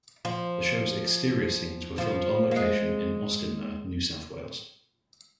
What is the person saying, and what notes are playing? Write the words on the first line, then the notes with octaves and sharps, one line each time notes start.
The show's exterior scenes were filmed on location in Austinmer, New South Wales.
F3
F3
A#3
G#3